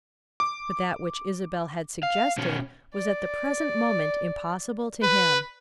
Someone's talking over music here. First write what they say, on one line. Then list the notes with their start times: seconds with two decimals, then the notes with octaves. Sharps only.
But that which Isabel had suggested was at the present moment impossible to him.
0.40 D6
2.03 F5
2.38 B2 C#4
2.94 D5
5.03 B4